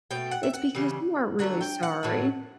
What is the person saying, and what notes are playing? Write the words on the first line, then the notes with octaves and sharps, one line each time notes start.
it's because you aren't really sorry
B2 A3 G5
F#5
E5
F#5
C#3 E3 G3
D3 F#3 A3 F#5
G5
F#5
A2 F#3 A3